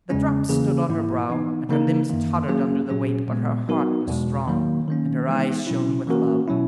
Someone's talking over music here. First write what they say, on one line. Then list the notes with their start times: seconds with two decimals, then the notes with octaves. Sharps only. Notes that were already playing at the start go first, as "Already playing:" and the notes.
The drops stood on her brow, and her limbs tottered under the weight, but her heart was strong, and her eyes shone with love.
0.10 E2 C#3 G#3 C#4
0.49 C#3 E3 A#3 C#4 G#4
0.89 G#2 E3 A#3 E4
1.30 E3 B3 D#4
1.69 C#3 E3 A#3 D#4 A#4
2.10 F#2 D#3 A#3
2.48 F#3 A#3 C#4 G#4
2.89 A#2 F#3 C#4 G#4
3.28 A#2 G#3 B3
3.68 F#3 B3 D#4 F#4 A#4
4.08 E2 B2 G#3
4.47 D#3 F#3 A#3
4.88 D#3 A#3 C#4
5.28 E3 G#3 B3 D#4
5.67 B2 F#3 C#4 E4
6.07 E3 A#3 C#4 F#4 A#4
6.48 B2 F#3 C#4 E4